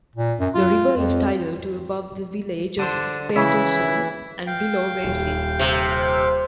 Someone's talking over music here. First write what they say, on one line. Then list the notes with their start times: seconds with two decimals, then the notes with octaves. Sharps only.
The river is tidal to above the village of Paterson and below Vacy.
0.15 A#2
0.40 F#2
0.54 F4
0.97 F2
2.79 D3 D4 C5
3.36 C#3 E3 E4 E5
4.47 F5 G5
5.04 D#1
5.59 C3